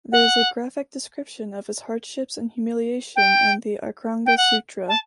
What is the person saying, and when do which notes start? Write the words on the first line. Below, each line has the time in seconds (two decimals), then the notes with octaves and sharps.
There is a graphic description of his hardships and humiliation in the "Acharanga Sutra".
0.12 F#5
3.16 G5
4.26 G5
4.37 F#5
4.88 A5